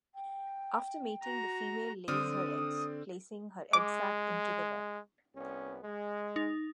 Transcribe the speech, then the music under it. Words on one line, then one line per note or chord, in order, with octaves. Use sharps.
After mating, the female lays her eggs, placing her egg sac into the web.
G5
F#4 A#5
D3 C4 D5 D#6 F6
G#3 D6
C2 B3 C#4
G#3
D#4